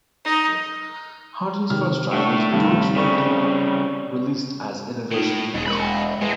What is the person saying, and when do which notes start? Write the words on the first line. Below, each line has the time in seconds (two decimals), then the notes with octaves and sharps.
Harden's first track was "Don't You Ever Give Up", released as Innervision feat.
0.25 D#4
1.70 C3 D#3 G4 F6
2.12 A2 A3 D4 G4 F#5 C#6
2.52 G2 C3 D#3
2.96 C#3 G3 C4 D5 C#6
5.12 A2 A#3 D#4 F4
5.54 E1 G#2 G#4 D#5
5.66 G#3 A#4 D#5 B5
6.21 A2 G#3 B4